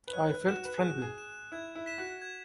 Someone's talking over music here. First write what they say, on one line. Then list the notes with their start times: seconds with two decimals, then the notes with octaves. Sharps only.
I felt friendly.
0.08 B4
0.13 C#5 F#6
0.23 C#5
0.31 B4
0.48 F#4 E7
0.65 B4
0.78 G#4
0.83 F#6
0.90 F#4
1.02 G#4
1.18 E7
1.52 E4 G#6
1.75 E4
1.86 B6 E7
1.98 F#4
2.22 G#6